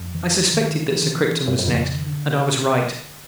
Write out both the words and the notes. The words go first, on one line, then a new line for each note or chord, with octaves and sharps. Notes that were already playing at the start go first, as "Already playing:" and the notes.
I suspected that Sir Crichton was next, and I was right.
Already playing: F2
E3
D#3
E3
D#3
E3
G2
F#2
F2 C#3
D#3
D3